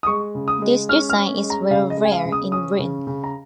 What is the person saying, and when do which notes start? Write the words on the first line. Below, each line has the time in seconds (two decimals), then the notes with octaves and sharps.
This design is very rare in Britain.
0.03 D#6
0.07 G#3 C#6
0.35 C#3
0.48 D#6
0.62 G#3
0.89 C#4 F6
1.10 F6
1.16 C#4
1.43 G#3
1.50 A#5
1.70 C#3 F5
1.90 D#5
1.97 G#3
2.05 G#5
2.12 F5
2.26 C#3
2.32 D#6
2.52 C#4 D#6
2.79 C#3
3.07 C#3
3.24 A#5